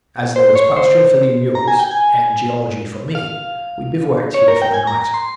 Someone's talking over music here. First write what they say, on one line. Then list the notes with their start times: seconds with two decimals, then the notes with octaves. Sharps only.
As there was pasture for the mules, and geology for me, we bivouacked here for the night.
0.36 C5
0.55 C#5
0.76 C5
1.55 A#5
1.68 G#5
1.79 G5
1.91 G#5
3.15 F5
4.34 C#5
4.48 A#4
4.62 G5
4.74 G#5
4.87 A#5
5.14 C6